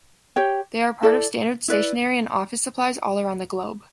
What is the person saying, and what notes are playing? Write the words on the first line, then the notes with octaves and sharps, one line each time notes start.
They are part of standard stationery and office supplies all around the globe.
G4 C#5 G5
E4 A4 D5
E4 B4 D5